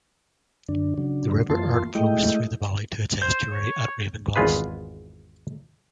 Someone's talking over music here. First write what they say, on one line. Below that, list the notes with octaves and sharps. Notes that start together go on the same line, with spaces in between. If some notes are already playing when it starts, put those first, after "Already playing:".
The River Irt flows through the valley to its estuary at Ravenglass.
F#2 D3 D4
C#3 F#3 D4
F#2 E3 A#3 F4 A5 C6
G#3 A3 E4 D#5 G5
C5 G6
C#5
G#1 E2 G#3 F4 G#4 B4